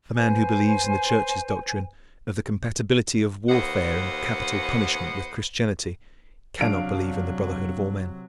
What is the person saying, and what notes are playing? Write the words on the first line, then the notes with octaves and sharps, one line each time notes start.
The man who believes in the Church's doctrine of the compatibility of warfare and capital punishment with Christianity cannot believe in the brotherhood of all men.
B4 C5 G#5
D#2 B4 C5 D#5 F#5
C3 F#3 D4 F5 D7